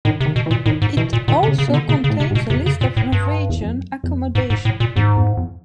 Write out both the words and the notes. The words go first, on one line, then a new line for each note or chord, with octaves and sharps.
It also contains a list of Norwegian accommodation.
A2 D#3
C3
D#3
B2
E3
A#2
A2 D#3
G#2
B2 E3
A#2
A#2 D#3
C3
C#3
C#3
B2
D3
A#2 C#3
C#3
A2
C3
G#2
B2
F2 C3
C#3
A#2
A2
G2
E2
F2
F#2
F2
G#2
G#2
A2
A#2
E2 G#2
F2
F2